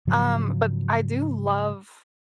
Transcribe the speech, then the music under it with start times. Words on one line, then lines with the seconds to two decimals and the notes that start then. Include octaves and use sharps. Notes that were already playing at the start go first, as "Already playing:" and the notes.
Um, but I do love
0.07 G#2 C#3 F3 F#3